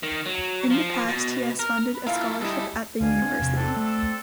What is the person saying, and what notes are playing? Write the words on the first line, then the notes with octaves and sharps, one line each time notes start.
In the past he has funded a scholarship at the university.
D#3
F#3
F3
B2
A#4
B4
A#3 E4 F4 A4 F5
G3 G#3 E4 A4 D#5
D2 B2 D4 F5 G#5
C4 D4
E1 C3
C4 D4 A4
A3